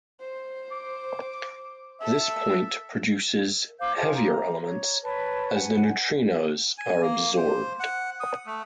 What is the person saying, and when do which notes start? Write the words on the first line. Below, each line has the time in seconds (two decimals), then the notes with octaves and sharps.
This point produces heavier elements as the neutrinos are absorbed.
0.20 C5
0.72 D6
2.01 A4 E5
3.80 C5 F5 D6 G6
3.96 F4 G#4 C5 A5
4.14 A#5
4.65 C#5
5.03 B4 C#5 A5 B5
5.53 F#5 G#5
6.78 G#5
7.01 A#3
7.37 C5
7.80 F#5
8.20 D#6
8.46 A3